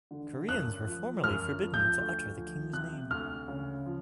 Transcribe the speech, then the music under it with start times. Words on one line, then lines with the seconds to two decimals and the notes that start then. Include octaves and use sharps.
Koreans were formerly forbidden to utter the king's name.
0.11 D3
0.48 F#2 F#6
0.86 F3
1.23 F#2 F6
1.61 F3
1.74 G6
1.98 D2
2.36 F3
2.73 C3 F#6
3.11 D2 F6
3.48 C#3
3.86 F3